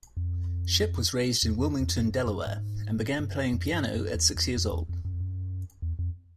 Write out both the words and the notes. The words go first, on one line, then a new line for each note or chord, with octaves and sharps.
Shipp was raised in Wilmington, Delaware, and began playing piano at six years old.
F2
E2
F2
E2
F2
G2
F#2
F#2
G#2
G2
F#2
F2
G2
F#2
E2
E2
F2
E2
F2
F#2
F2
F#2
E2
F2